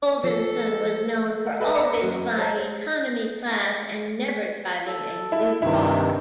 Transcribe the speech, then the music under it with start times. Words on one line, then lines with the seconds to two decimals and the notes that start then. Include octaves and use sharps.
Goldenson was known for always flying economy class and never driving a new car.
0.24 F3 A4
1.46 F#5
1.60 A4 B4 D#5 E5 G5
1.76 A#5 B5 E6 C#7
2.01 F#2 F#4
2.37 C5 C#5 D#5 A5 A#5
4.86 A4
5.32 E4
5.62 G2 C3 D#3 E4